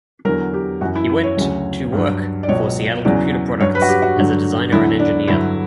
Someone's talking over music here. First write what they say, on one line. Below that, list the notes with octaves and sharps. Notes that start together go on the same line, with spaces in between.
He went to work for Seattle Computer Products as a designer and engineer.
E2 D3 F#3 A#4
G4
F#2 E3 F#4
E4
E4
C#5
D2 C#3 F#3
G2 F#3
D5
C#2 B2 F#3 C#5
E2 C#3 F#3 D5
G2 F#3 C#5
B4
F#4
G4
F#4
G2 D3 F#3
E2 D3 F#3 E4
D4
G2 D3 F#3 E4